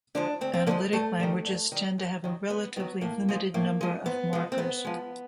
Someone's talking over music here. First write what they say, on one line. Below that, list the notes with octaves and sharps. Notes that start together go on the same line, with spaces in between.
Analytic languages tend to have a relatively limited number of markers.
D3 F3 G#3 D4
D2 C4
C4
D3 F3 G#3 A#3
G2 A3
D#3 G3
G2
D#3 G3
F#2
D#3 F#3
F#2 B3
D#3 F#3 B3
A2 A#3
F3 G#3
A2 A#3
F3 G#3
G#2 B3
F3 G#3
C4
G#2 B3
F3 G#3